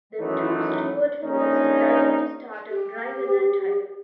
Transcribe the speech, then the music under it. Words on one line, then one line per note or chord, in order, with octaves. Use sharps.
The two Stewart-Fords decided to start on dry weather tyres.
F#2 D#3 E3 F#3 A3 D#4
A#1 C#4 D#4
G4